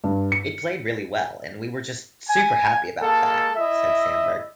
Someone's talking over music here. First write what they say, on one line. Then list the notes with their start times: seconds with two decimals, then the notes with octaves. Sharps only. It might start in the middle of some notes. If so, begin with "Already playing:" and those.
"It played really well, and we were just super happy about that," said Samberg.
0.04 G2
0.32 C#7
2.28 G#5
3.01 G#3 A#3 A4
3.56 E4 D#5 E5